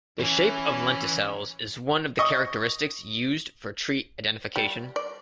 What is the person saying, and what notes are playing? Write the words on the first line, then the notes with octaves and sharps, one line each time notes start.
The shape of lenticels is one of the characteristics used for tree identification.
E3 C#4
D#5 C#6 D#6
G3
D5